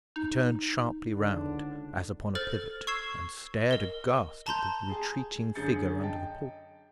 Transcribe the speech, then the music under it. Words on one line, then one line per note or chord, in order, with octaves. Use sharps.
He turned sharply round, as upon a pivot, and stared aghast at the retreating figure under the porch.
D#4
C#2 D3 D4
A4 C5 F6 A6
C#6 E6 G#6 C7 E7
A#4 D#5
A5 A#5 C6 G6
G#4 G#5 A5
F#2 D3 G#4 G6 A6 C#7
D#5 G5 A5